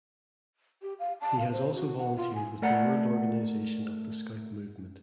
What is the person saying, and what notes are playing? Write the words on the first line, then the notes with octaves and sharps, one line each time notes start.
He has also volunteered with the World Organization of the Scout Movement.
G4
F5
A5
F5
C5
F#4
F#5
F4
G#5
A3 A#4 D5 F#5